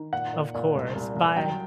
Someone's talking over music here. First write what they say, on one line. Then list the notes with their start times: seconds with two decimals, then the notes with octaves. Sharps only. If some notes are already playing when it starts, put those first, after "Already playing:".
Of course. Bye.
Already playing: D#3
0.12 A#2 F#5
0.33 A#2
0.54 A#2
0.75 C2
0.95 C2
1.16 C2
1.36 F#3 G5